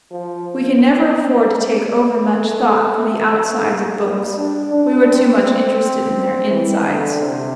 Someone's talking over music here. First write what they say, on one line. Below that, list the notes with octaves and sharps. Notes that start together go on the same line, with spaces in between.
We could never afford to take overmuch thought for the outsides of books; we were too much interested in their insides.
F3
A3
A#3
G3
D4
D4
C4
E3
D3
C3